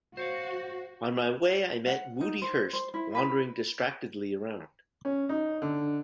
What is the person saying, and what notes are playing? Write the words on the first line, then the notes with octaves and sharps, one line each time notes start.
On my way I met Moody Hurst wandering distractedly around.
F#4 C5 C#5 F5
F#5
D#4
C5
C5
E4
B4
C#4
D#4
D3